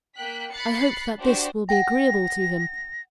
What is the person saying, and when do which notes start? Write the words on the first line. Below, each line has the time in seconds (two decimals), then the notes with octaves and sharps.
I hope that this will be agreeable to him.
0.16 A#3 G5 F#6 B6
0.51 B5 F#6 A6 C7 C#7
1.21 D4 F#4 G4 C5 D5
1.69 F#5 G5 A#6